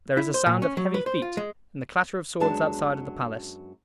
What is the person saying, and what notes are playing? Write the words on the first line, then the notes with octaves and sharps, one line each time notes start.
There is a sound of heavy feet, and the clatter of swords outside of the palace.
E4
C5
A#2
C#4
F#3
B4
C5
F4
G#3
F#2 F#3 G#3 B3 D4 A5